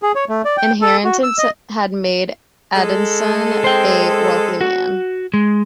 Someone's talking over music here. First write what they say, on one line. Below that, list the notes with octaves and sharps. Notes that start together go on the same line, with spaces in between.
Inheritances had made Adamson a wealthy man.
G#4
C#5
A3
D5
G5
A4
F#4
E6
D#5
G#3 A4
C5 G5
F#4
G#3